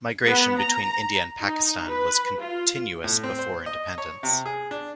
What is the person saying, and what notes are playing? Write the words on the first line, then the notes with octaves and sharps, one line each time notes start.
Migration between India and Pakistan was continuous before independence.
B3
A#5
D#4
B4
F4
A2
C4
C5
D#5
C#5
C3
G#4
D4